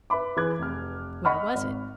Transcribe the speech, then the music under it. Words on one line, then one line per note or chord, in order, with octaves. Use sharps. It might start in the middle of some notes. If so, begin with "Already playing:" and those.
Where was it?
B4 E5 B5 D6
E3 G#4 B4 D6 F#6 G#6
F1 F6
D#5 F#5 B5 C#6 F6
G#1